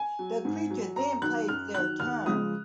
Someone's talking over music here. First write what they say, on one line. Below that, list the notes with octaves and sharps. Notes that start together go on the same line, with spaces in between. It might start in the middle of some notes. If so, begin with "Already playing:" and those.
The creature then plays their turn.
Already playing: G#5
F#3
G#2
F#3
F#2 A#5
D#3 F#3 F#6
F#2 F6
D#3 F#3 F#6
D#2 F6
C#3 F3 G#3 D#6